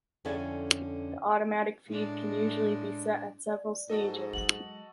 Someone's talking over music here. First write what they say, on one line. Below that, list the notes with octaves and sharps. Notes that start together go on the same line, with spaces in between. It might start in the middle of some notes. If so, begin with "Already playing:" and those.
The automatic feed can usually be set in several stages.
F2 D3 C#4 E4 D5 G#5
A2 G#3 D4
D5
G#2 F#4 A4 D#5
F#3 G#3 F#5 F#7